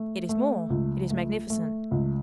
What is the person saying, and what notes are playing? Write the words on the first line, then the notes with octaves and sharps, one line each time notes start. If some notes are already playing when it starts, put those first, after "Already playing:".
"It is more--it is magnificent."
Already playing: A3
A3
C#2
A3
A3
C#2